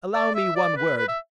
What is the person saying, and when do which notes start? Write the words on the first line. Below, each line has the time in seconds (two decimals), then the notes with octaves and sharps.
Allow me one word.
0.14 D5
0.35 E5
0.56 D5
0.77 B4
0.97 B4
1.08 E5